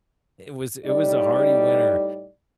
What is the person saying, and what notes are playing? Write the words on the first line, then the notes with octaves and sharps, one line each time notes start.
it was it was a hearty winter,
A2 G3 D#4 D5